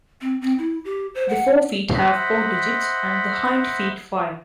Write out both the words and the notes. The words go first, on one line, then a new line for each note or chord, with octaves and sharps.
The fore feet have four digits and the hind feet five.
C4
C4
E4
G4
C5
F#5
C5 D#5 E5 F#5 B5